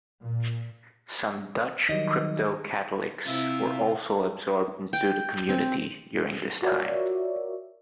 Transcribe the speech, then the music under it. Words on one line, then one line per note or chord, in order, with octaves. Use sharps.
Some Dutch crypto-Catholics were also absorbed into the community during this time.
A#2
D#3 F#3 G3 D#5
C3 C4 E4 F4 E5
G5
C4
F4 F#4 A#4 C#5 D5 E5